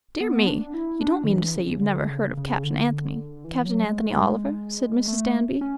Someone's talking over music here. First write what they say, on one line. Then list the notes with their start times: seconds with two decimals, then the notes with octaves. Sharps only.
"Dear me, you don't mean to say you've never heard of Captain Anthony--Captain Anthony Oliver?" said Mrs. Danby.
0.20 B3
0.47 D4
0.74 E4
1.01 D4
1.24 D3
1.28 E3
1.56 C#3
1.82 D3
2.10 C#3
2.37 C#3
2.64 D3
3.44 E3
3.65 F#3
3.85 G#3
4.00 A3
4.06 G#3
5.08 A3
5.61 C#4